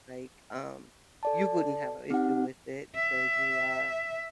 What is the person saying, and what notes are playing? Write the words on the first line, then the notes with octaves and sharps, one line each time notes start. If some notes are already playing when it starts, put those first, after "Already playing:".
Like, um, you wouldn't have a issue with it because you are
A4 D5 A5
C4 D#4 G4 F#5
E5